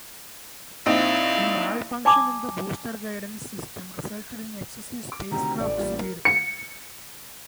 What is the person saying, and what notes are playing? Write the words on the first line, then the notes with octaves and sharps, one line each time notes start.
A malfunction in the booster guidance system resulted in excessive spacecraft speed.
A#1 C4 D#4 E4 F5
D5 G#5 A5 D6 D#6
D6
D2 C3 D#3 A#5
A1 D5
A#2 G3
A#4
C#7